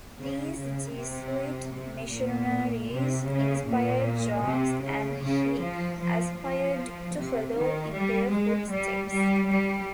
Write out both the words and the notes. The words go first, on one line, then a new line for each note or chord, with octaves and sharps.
These Jesuit missionaries inspired Jogues, and he aspired to follow in their footsteps.
C#3
C#3
C3
C3
A#2
C3
C#3
A#2
C3
C#3
C#3
F3
F3
F3
C3
D#3
G3
G#3
G3
G3
G3